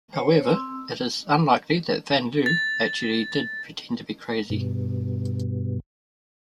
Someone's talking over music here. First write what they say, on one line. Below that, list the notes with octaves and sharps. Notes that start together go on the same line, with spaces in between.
However, it is unlikely that Van Lew actually did pretend to be crazy.
C5 C#5
C4 C6 E6
A6
G2 B2